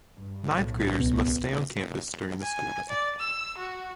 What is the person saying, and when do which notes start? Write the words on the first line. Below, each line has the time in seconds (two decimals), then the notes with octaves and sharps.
Ninth graders must stay on campus during the school day.
0.17 G2
0.49 B1 A2
0.98 C#2 B2 B3
2.42 G#5
2.89 D5
3.20 E6
3.58 F#4